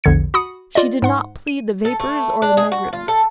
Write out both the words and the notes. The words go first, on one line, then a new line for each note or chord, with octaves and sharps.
She did not plead the vapours or the megrims.
A#1 E2 D3 G#6 C#7
F#4 B5 D#6 C#7
F4 D5 D#5
G#2 F#5 C6
D#7
A4
A3
D4
G#4
F#4
F4
A4